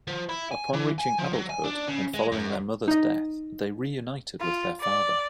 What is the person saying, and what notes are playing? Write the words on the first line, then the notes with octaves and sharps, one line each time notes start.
Upon reaching adulthood, and following their mother's death, they reunited with their father.
F3
E4
G#5
E3
G#5
F3
F#3
G#5
D4
C#3
G#3
F#2
D#4 D#5
F4
D5